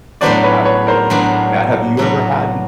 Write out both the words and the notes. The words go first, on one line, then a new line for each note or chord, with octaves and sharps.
Absolutely. Now, have you ever had n
A2 F#3 B3 D4 F#4 C5 D5
B4 C#5
B4 C#5
A#4 C5
A2 F#3 B3 D4 F#4
A2 F#3 B3 D4 F#4